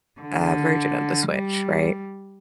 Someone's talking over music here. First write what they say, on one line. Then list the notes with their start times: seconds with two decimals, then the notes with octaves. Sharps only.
uh, version of the Switch, right?
0.20 D3
1.28 G3